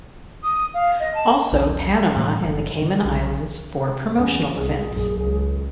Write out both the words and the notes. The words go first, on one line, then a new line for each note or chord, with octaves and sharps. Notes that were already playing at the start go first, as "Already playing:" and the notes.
Also Panama and the Cayman Islands for promotional events.
D#6
F5
D#5
A5
B1 E2 C#4
A2 E3 G3 A3
F#1
D3
B1 C#4
C3
E2 C#4
C2 G#4
A#1 F#2
C#2